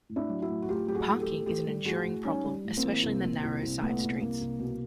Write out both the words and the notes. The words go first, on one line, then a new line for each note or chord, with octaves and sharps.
Parking is an enduring problem, especially in the narrow side-streets.
A2
D4 E4
F#3
E4 F#4
A2
F#4
A2 F4 G4
F#3 G4
F#4 G#4
A2
G4 A4
A2
A2 G4 A4
G3
A2 F#4 G#4
A2
G3 C#4 D#4
G3
A2
A#3 C4
E3
C2
A#2
C2
C2
A#2 A3 B3
C2
C2 A#3
C2
B2